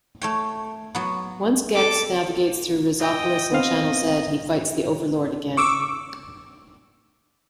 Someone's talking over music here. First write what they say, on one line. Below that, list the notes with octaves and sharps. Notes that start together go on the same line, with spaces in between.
Once Gex navigates through Rezopolis and Channel Z, he fights the overlord again.
A3 C#5 G5
F#3 B3
A4 D6
D#5 G5
B3 C4 D#5 F5
C#6 D6 E6